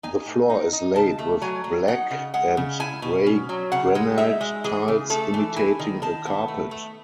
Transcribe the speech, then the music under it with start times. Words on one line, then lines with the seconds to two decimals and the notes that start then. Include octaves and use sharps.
The floor is laid with black and grey granite tiles imitating a carpet.
0.03 D#4 G#5
0.26 A2
0.50 D#4
0.73 D#4
0.95 C#3 A5
1.19 A3
1.42 F#3 G#5
1.64 F#3
1.88 D#4 F#5
2.11 C#3
2.34 G#3 F#5
2.57 C#3
2.80 E4 G#5
3.02 B2
3.26 C#4
3.49 F#3
3.72 C#3 F#5
3.95 G#3
4.18 D#4 E5
4.41 G#3
4.64 E3 G#4
4.88 C#3
5.10 A3 A4
5.34 E3
5.56 E4 G#5
5.79 D#3
6.02 D#3 A5
6.26 B3
6.48 A3
6.71 A3